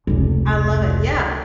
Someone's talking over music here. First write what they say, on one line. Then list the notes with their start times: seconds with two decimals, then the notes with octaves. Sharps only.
I love it, yeah,
0.07 F1 C#2